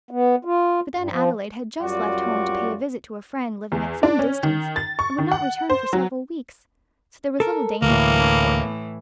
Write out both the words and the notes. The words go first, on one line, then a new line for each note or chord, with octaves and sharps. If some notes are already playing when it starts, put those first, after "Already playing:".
But then Adelaide had just left home to pay a visit to a friend living at some distance, and would not return for several weeks, so there was little danger from that quarter.
B3
F4
G2
F3
F#2 G3 F4 F#4 D5
E2
D4
C#4
D#3
A6
C#6
D#3
F#5
C5
F#3
A4 A#4
D2 A2 E3 A#3